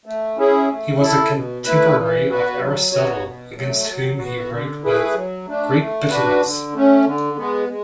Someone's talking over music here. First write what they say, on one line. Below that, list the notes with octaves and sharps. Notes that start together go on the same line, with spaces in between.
He was a contemporary of Aristotle, against whom he wrote with great bitterness.
A3
C#4 E4 G#4
A3
E4 A4
B2
A3 E4 B4
E3
B3 F#4 B4
F#3
B3 F#4 C#5
B2
F#3 A3
F#3
B3 F#4
D3
A3 E4 G#4 B4
F#3
A3 D4
A3
D4 F#4 B4
D3
A3 C#4
D3
G#3 B3
G#3